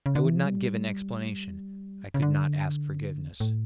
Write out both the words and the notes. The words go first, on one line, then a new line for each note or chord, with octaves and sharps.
I would not give an explanation, I could not ask forgiveness.
C#3
D3
E3
F3
G3
C#3
D3
A2